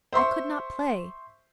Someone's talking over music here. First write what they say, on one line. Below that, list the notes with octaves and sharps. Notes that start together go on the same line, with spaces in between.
I could not play.
C5 E5 C6 C#6